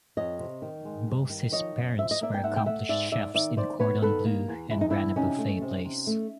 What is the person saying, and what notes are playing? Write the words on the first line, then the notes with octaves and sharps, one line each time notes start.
Both his parents were accomplished chefs in cordon bleu and ran a buffet place.
F2 C#5 D#5
C3
D#3
G#3
G2
D#3
F3 C#5 D#5
F#2
F3 E5
D#5
A#3 D5 E5
G5
G#2 E5 F#5
G5
A3 E5 F#5
G#2 D5 E5
G#2 D5 E5
D#3 D5 E5
D#3 C5 D5
B3 B4 C#5
D#3 A4 B4
A#3
E2
E2 E4
D#4
E2 D4 E4
C3 C#4 D#4
A3
C3
C3
A3